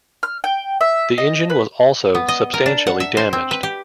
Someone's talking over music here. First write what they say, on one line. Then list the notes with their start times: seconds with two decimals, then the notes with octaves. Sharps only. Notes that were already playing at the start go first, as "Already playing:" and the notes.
The engine was also substantially damaged.
0.23 F6
0.44 G5
0.81 E5
1.18 D#5
1.50 B4
2.15 B3
2.28 D#5
2.54 A#4
2.66 D4
2.87 F#5
3.00 E5
3.17 C5
3.33 C4
3.51 B4
3.63 G4